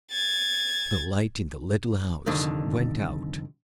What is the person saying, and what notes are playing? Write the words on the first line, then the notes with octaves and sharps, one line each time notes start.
The light in the little house went out.
G#6 A6
C2 F2 D3 D#3